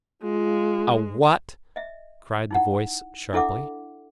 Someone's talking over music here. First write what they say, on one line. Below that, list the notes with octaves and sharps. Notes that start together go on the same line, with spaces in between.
"A what?" cried the voice, sharply.
G#3 F4
D#5 E5
D#4 E4 F#5
D4 E4 A4 E5 F#5 D6